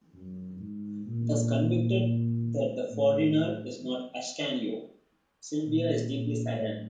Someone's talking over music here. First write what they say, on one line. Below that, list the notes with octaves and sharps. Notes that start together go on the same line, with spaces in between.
Thus convinced that the foreigner is not Ascanio, Silvia is deeply saddened.
F#2
G#2
A#2
A2
A#2
A#2
A2